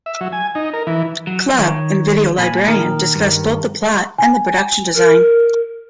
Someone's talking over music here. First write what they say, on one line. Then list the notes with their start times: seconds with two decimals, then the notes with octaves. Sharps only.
Club, and "Video Librarian" discussed both the plot and the production design.
0.06 E5
0.21 F#3
0.32 G#5
0.55 D#4
0.73 A#4
0.87 E3
1.27 F#3
1.59 D#3 C#5
2.38 A#2 G#5 B5
2.68 D#3 A#4
3.15 G2
4.18 G#5
4.95 A#4